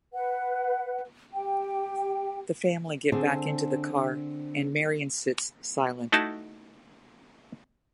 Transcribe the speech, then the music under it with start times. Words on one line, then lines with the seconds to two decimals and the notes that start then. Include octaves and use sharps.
The family get back into the car, and Marion sits, silent.
0.14 B4 F#5
1.33 G4 G5
3.12 D3 C4 D4 G#4 C5
6.12 A3 D#4 E4 F#4 A5